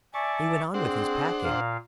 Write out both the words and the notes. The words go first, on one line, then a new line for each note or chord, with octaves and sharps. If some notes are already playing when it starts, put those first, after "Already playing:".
He went on with his packing.
D5 E5 G#5 A5 C#6
C4 D4 G#4 C5 F#5
A#2 F5